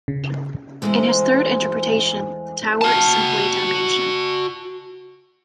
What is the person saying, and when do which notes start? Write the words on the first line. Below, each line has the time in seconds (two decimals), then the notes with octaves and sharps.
In his third interpretation, the Tower is simply damnation.
0.08 C#3
0.82 E2 G#3 A3 G#4 C5
2.81 F#4 A5